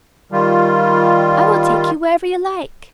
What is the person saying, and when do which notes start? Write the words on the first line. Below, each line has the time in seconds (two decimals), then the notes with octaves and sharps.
"I will take you wherever you like."
0.32 D#3 G3 F4